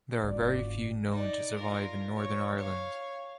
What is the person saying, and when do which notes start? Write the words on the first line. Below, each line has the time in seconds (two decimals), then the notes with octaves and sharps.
There are very few known to survive in Northern Ireland.
0.23 F#1 G#2 F4 F#4 D5
1.11 D#4 D5
1.56 F4 A#4
2.16 C#5
2.57 C#5 F5